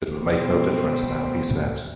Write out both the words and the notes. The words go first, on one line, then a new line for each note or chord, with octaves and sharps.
"It will make no difference now," he said.
B2 C4